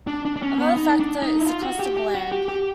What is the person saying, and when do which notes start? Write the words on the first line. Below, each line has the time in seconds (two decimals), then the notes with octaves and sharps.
Another factor is the cost of land.
0.07 D4
0.25 D4
0.36 D4
0.42 C#4
0.59 B3
0.77 D#4
1.00 D4
1.22 D#4
1.39 E4
1.46 F4
1.63 F#4
1.80 G4
1.97 G4
2.15 F#4
2.32 G4
2.48 G4